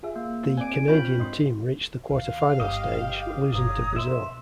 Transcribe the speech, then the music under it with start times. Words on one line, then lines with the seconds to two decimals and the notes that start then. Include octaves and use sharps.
The Canadian team reached the quarter-final stage, losing to Brazil.
0.03 F4 G#4 E5
0.16 A#3
0.57 C4 D5 G#5 D7
0.88 C4 D4 F4 C#5 B5 G6
1.19 G#2 D#5 C6
2.10 D2 D#3 F5
2.60 G1 G4 D#5
3.52 G1 F2 C#5 A#5 D#6
3.96 B2 E5 C6